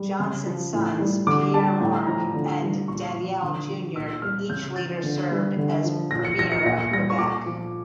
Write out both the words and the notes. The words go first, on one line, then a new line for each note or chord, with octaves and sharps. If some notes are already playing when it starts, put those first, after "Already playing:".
Johnson's sons, Pierre-Marc and Daniel Junior each later served as Premier of Quebec.
Already playing: G3
C#3
F3
A2
G3
D3 D6
G3 A5
A2 G5
F3 A#5
D3
G3
A#2 C#6
F3
D3
F3
A#2 E6
G3 F6
C#3 G6
F3 A6
D3
G3
D3
F3
A#2 A#6
C#7
F3 A#6
C#7
A#2 A#6
C#7
G3 A#6
C#6
A#2 D6
F3